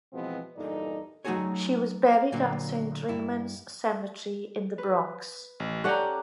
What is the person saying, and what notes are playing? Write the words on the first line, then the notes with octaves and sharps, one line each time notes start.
She was buried at Saint Raymond's Cemetery in the Bronx.
B2 E3 F3 G#3 B3 C4
E2 G2 A#2 D#4 A4 D5
F#3 A3 D#4 F#4 G#4 C#5
A#2 D3 F#3 A#3
G2 E4
B4
A1
C#4 G4 A4 D5 F#5 A#5 F#6 G6